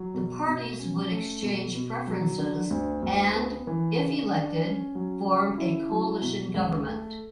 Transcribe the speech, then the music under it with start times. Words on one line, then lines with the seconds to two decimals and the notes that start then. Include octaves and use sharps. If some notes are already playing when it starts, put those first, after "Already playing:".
The parties would exchange preferences and, if elected, form a coalition government.
Already playing: F#3
0.14 B2
0.47 B2
0.80 C#4
1.11 A3
1.43 B2
1.75 B2
2.07 F#3
2.38 D3
2.70 D2
3.02 D2
3.35 B3
3.67 E3
3.99 C#3
4.31 D4
4.63 C#4
4.95 F#3
5.26 C#3
5.58 E4
5.91 F#3
6.22 B2
6.54 C#2
6.86 A3